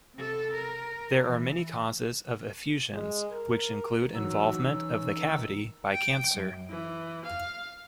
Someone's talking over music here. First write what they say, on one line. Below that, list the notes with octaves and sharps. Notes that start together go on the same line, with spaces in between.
There are many causes of effusions which include involvement of the cavity by cancer.
C3 A4
A#4
E3
G#3
A#4
E3 F#3 D#4 E6
C#4
D#3
G5
F#2
E3
F5